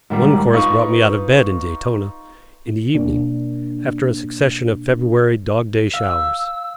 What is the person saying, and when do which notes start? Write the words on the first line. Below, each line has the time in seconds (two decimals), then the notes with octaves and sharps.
One chorus brought me out of bed in Daytona--in the evening--after a succession of February dog-day showers.
0.10 G#2 D#3 G3
0.53 D#4 F4 B4 C#6
2.95 B2 A#3 D4
5.94 F5 E6